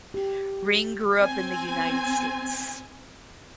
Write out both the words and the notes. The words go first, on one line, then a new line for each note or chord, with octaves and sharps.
Ring grew up in the United States.
G4
C4 G#5